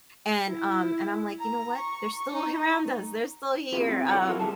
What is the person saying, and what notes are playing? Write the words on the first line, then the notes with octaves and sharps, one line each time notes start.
and, um, and I'm, like, you know what, they're still around us, they're still here, um,
E4
A#5
C#6
D#4
C4 E4 F4 G4 G#4 B4
C4
E4 F#4 A4 C#5 D5 F#5
E4 F4 A4 A#4
D2 G3 G#4 A5